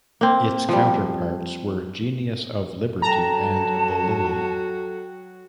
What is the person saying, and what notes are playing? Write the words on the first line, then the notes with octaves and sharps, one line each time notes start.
Its counterparts were "Genius of Liberty" and the "Lily".
A#3 C4
F3 G3
F#3 F#4 A4 G5 A5 A#5